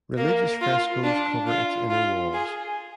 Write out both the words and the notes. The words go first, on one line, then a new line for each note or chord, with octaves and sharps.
Religious frescoes cover its inner walls.
A#3
F4
D4
F4
F4
G#4